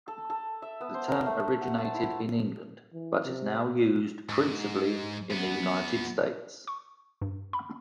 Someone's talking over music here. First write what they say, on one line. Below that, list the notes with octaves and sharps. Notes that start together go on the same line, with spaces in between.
The term originated in England, but is now used principally in the United States.
A4
A4
E5
B3
C5
A#4
A3
F#5
A5
E4
E3
C3
G#2
E2 B3
C#6
G2
B5